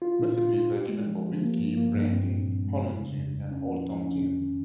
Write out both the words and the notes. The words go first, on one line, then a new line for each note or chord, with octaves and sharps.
Recipes are given for Whiskey, Brandy, Holland gin, and Old Tom gin.
F4
A#2
F4
F4
G4
G#3
F3
F3
A#3
G2
A#3
G2
C4
A#2
F3
G#3
F2
C#3
F2
F2
C#4
F3
F3
C#4
F2
D#3